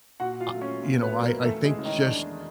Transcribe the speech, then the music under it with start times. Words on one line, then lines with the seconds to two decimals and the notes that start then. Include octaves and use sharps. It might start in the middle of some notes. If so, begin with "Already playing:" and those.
Ah you know, I I think just
0.20 A#2 F#4 F#5
0.40 F4 F5
0.51 F#3 A3
0.61 C#4 C#5
0.83 A#2
1.02 B3 B4
1.13 F#3 A3
1.23 A#3 A#4
1.44 E2 A3 A4
1.65 G#3 G#4
1.75 C#3 E3 A3
1.85 D#3 D#4
2.06 E2 D4